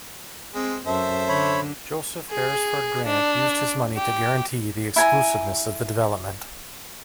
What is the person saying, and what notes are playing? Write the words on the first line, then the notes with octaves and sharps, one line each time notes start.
Joseph Beresford Grant used his money to guarantee the exclusiveness of the development.
G#3 C4
F#2 A4 C5 E5
D3 C#5 B5
G#4
D4
G4
E4 G#5 A#5